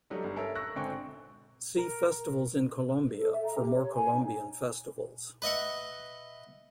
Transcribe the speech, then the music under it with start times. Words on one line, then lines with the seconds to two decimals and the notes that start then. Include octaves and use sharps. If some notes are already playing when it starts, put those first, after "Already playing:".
See Festivals in Colombia for more Colombian festivals.
0.10 F#3 G3 A3 D4 D#4
0.24 G1
0.36 A4 A#4 C#5 E5
0.55 C#6 E6 F#6 A#6
0.76 G#1 D3 C4 G5 G#5 C#6
1.78 A#4
3.17 A4
3.32 E5
3.46 A#5
3.58 G4
3.75 C#5
3.93 G#5
4.12 D#4
5.42 B4 D#5 E5 F#5